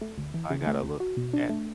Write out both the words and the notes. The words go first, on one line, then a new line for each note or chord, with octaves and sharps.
I gotta look at
A3
D2
E3
C#3
A3
D2
F#4
B2
D4
A3